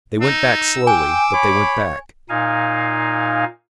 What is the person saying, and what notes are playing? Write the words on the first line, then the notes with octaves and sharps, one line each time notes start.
They went back slowly, but they went back.
D#4 E6
G5 G#5 D6
C#5 B5
A#2 D#4 F5 G#5